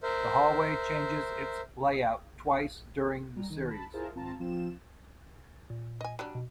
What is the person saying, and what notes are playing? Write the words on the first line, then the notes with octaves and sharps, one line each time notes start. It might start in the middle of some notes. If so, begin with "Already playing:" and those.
The hallway changes its layout twice during the series.
A#4 C5 E5
G3 A#5
D#3
A5 B5
E4 F4 G#4 A#4 C5 A5
G#1 C4 F4 A5 A#5
F3 C4 F4 E7
A#2
D#5 G#5
F#3 G3 D4
B2